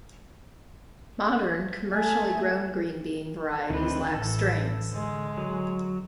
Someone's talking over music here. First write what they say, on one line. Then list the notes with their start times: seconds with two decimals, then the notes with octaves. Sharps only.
Modern, commercially grown green bean varieties lack strings.
1.91 A3 G#4
3.70 D2 D#3 C4 D4 B4
4.14 A1 E3 A4
4.90 D3 G#3
5.37 F#3